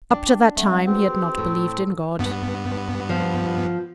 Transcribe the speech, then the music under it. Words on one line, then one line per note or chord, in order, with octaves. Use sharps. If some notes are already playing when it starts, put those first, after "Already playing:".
Up to that time, he had not believed in God.
D4 G5 D6
G3 A3 C4 F#5
C4 F#4 G#4 B4
A2 E6
G2 B3
F3